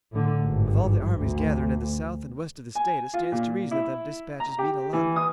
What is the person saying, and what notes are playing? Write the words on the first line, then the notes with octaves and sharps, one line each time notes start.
With all the armies gatherin' in the south an' west of the state it stands to reason that them dispatches mean a lot.
A2 D3
G#1 G2
D2
G#5
F4
A#2
E4
A#5
G4
E3
D#6